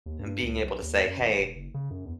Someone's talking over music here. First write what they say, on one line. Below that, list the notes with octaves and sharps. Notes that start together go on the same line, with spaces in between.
being able to say, "Hey,
D#2
G2
C#2
B1
D#2
F#2
G#1
E1
F#1
C#3
F#2
E2